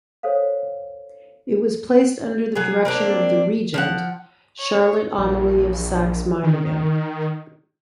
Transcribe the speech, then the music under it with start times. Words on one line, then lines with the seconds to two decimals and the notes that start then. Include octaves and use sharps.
It was placed under the direction of the Regent, Charlotte Amalie of Saxe-Meiningen.
0.23 A4 C5 C#5 F5
2.55 F#3 G#4
2.85 A#3 C4 D4
3.74 F3 F5 F#5
4.60 C#5
5.18 A#1
6.43 D#3